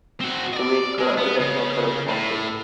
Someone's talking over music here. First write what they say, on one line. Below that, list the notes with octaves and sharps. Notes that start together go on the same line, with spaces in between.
The league currently has no title sponsor.
C4 F#4
D5 D#5
G#3
B3
C#3
A2